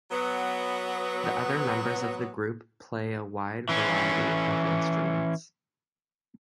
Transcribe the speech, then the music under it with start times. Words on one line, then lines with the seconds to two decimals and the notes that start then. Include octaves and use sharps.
The other members of the group play a wide variety of instruments.
0.10 F#3 B3
3.69 E3 C#4